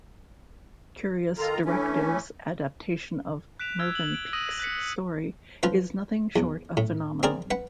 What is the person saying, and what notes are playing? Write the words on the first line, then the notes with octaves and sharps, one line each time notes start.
Curious Directive's adaptation of Mervyn Peake's story is nothing short of phenomenal.
D#3 F4 A4 A#5
E3 A3 C#4 D4
F#6 B6 D7 E7 F7
E6 G#6
F#7
D7
D#6 E6 A#6 D#7 F#7
F#6 B6 C#7
F3 F4 B4
E2
A2
C4 G#4 A#4 D5
B4 F#5